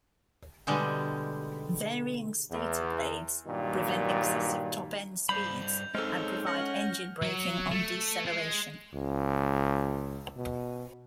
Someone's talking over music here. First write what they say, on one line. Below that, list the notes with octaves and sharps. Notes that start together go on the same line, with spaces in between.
Varying stator blades prevent excessive top end speeds, and provide engine braking on deceleration.
B2 D3 G3 G#3 G4
E2
G2 A#2 D#3 F#3
G2 C5 B5 G6 F7
G#2 C#3 G#3 C4 D#4 A4 C#5 F6
C#4 F#5 F6 A#6
F#3
A3
G#3
C#2
B2